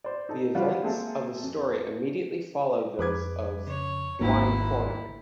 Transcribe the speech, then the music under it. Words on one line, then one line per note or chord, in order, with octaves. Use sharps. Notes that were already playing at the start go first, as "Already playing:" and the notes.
The events of the story immediately follow those of "Blind Corner".
C5 D5
D#4 A4
G3 F4 F#4 B4
G#3 A#3 C4 G#4 A4 E5
F2
F2 B4 D6 G#6
C#3 C#5
G#1 D#2 G#2 A#3 E4 A#5